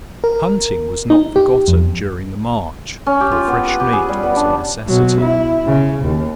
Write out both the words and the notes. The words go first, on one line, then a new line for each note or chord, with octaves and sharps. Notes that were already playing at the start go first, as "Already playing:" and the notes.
Hunting was not forgotten during the march, for fresh meat was a necessity.
A#4
D#4
G4
F2
C#4
G4
F4
B3
B4
G4
G#4
G3
B3
D4
B2 F#3
E4
C#3
D#2